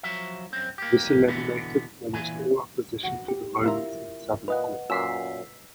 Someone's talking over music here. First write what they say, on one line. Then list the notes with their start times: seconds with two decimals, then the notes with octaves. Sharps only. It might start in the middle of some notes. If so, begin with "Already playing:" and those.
This eliminated almost all opposition to the Romans in southern Gaul.
0.03 F3 F#3 E5
0.53 F#2 C4
0.78 A#3 G4
1.28 B2 D3 E3 B3
2.13 A#2 E3 G#5
3.03 F#4
3.28 G4
3.64 E4 F4 A#4 E5 A#5
4.48 A#2 B4 D#5 F#5
4.90 F#2 A#2 E6 B6 C7